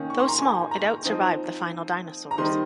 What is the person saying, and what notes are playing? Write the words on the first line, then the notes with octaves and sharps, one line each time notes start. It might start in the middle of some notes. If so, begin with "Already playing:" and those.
Though small, it outsurvived the final dinosaurs.
Already playing: D#3 A#3 C#4
C#6
C6
A#5
G#5
A#5
F3 C4 D#4
A#5
D#3 G3 C4 D#4 C6